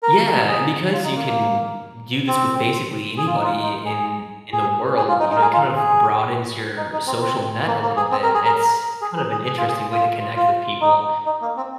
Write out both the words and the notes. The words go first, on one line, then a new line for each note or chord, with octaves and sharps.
Yeah, and because you can do this with basically anybody in in the world, you know, it kind of broadens your social net a little bit; it's kind of an interesting way to connect with people.
A#4
G#4
F4
D#4
A#3
A#3
C4
G#4
F4
D#4
F4
D#4
G#4
G#4
G#4
F4
D#4
D#4
A#4
G#4
F4
G#4
D#4
D#4
C4
C4
A#3
A#3
G#4
C4
A#4
G#4
A#4
A#4
G#4
G#4
G#4
G#4
F4
G#4
F4
F4
D#4
D#4
A#3
C4